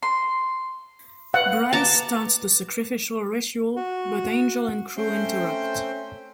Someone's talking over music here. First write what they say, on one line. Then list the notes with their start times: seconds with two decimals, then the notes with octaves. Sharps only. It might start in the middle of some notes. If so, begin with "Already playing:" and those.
Bryce starts the sacrificial ritual, but Angel and crew interrupt.
0.02 C6
1.34 B4 F5 F#5
1.73 B4 A5 A#5 D6
3.77 F#4
4.97 A3 C4 C#4 C5 G5 C6